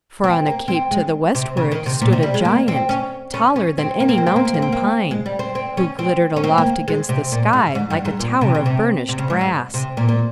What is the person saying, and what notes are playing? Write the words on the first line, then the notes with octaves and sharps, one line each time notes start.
For on a cape to the westward stood a giant, taller than any mountain pine; who glittered aloft against the sky like a tower of burnished brass.
C4
A#3
C4
G#3
C3
C#3
D#3
C3
A#2
C3
G3
G#3
A#3
C4
C#4
C#4
C#4
C4
A#3
C4
A#3
C4
A#3
C4
A#3
C4
A#3
G#3
G3
C4
C4
C#4
C4
C#4
C4
A#3
G#3
C3
A#2
G#2
G#2
G2
G#2
A#2
C3
C#3
C3
C3
C#3
G#2
G#2
C3
A#2
A#2